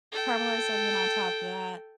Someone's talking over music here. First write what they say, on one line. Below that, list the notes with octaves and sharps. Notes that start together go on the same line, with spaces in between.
caramelized onion on top of that
A4 G5